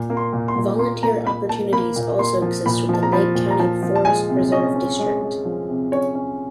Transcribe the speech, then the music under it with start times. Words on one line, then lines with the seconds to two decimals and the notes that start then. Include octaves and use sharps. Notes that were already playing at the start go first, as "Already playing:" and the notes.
Volunteer opportunities also exist with the Lake County Forest Preserve District.
Already playing: A#2
0.10 A#3
0.17 C6
0.33 A#2
0.48 C6
0.55 A#2
0.79 A#3 C6
1.03 A#3 A#5
1.26 A#3 B5
1.49 A#3 A5
1.72 A#3 B5
1.96 A#2
2.19 A#3 C6
2.42 F3
2.66 A#2 B5
2.89 F3 A5
3.03 A#5
3.12 F3 B5
3.35 A#2
3.51 A#5
3.59 F3 A5
3.82 F3
3.96 A5
4.05 G#3 G#5
4.29 C3
4.52 C#4 D#5
4.75 C#4
4.99 G#3
5.22 G#3
5.45 F3
5.69 C3
5.92 C#4 C#5
6.15 C#4